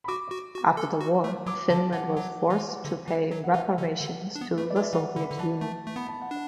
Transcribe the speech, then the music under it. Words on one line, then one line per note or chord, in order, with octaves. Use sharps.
After the war, Finland was forced to pay reparations to the Soviet Union.
B5
F#4 D6
F#4
F#4
A4
F#4
A3
F#3 D6
D3 A5
E3 F#5
F#3
E3
D3
E3
F#3
F#5
E3 E5
D3
D3
D4
B3
A3 B4
D5
F#3
E5
E3 F#5
D3 B5
D3
E3 A5
A3 A5
A3
B3 B5
A5
F#5
D4